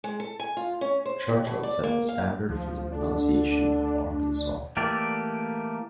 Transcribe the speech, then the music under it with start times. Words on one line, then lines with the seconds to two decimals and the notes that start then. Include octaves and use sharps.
Churchill set the standard for the pronunciation of Arkansas.
0.04 G#3
0.20 A4
0.40 G#5
0.57 F4
0.81 C#4
1.05 C5
1.29 D#2
1.47 B2
1.63 D5
1.83 A#3
2.09 F5
2.49 D2 F3
2.92 D3 D4
4.77 E3 A3 A#3 G4 D5